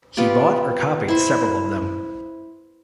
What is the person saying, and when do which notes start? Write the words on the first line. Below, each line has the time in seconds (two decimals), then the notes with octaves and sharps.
He bought or copied several of them.
0.17 B3 F4 G4 D5
1.08 E4 C5